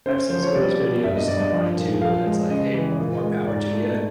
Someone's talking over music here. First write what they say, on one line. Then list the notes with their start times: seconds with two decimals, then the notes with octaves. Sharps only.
I've seen some of those videos online too, and, it's like, "Hey, more more power to you."
0.06 C#4 C5
0.30 F3 C5
0.43 C#5
0.55 G3 D5
0.80 B2
1.04 G2 E5
1.16 D#5
1.28 G2 D5
1.41 D#5
1.52 F3
1.77 A#2
2.01 F3 F5
2.26 G#3
2.50 C#3 D#5
2.74 E3
2.99 A#2
3.23 G#3
3.47 G#2 D5
3.72 A3